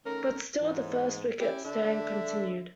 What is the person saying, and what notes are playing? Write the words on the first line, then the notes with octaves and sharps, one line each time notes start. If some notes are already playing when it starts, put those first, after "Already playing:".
But still the first-wicket stand continued.
D#3 A3 C#4 A#4
G#2 E3
C#4 E4 G4
D3 D4 E5